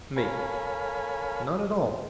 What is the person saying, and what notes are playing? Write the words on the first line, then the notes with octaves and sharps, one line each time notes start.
ME: Not at all.
A4 A#4 C#5 F5 G#5 B5